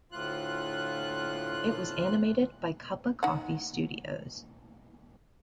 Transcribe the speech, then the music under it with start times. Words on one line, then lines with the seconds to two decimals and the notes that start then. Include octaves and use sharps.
It was animated by Cuppa Coffee Studios.
0.12 D2 A2 F4 F#6
3.23 D#4 F#5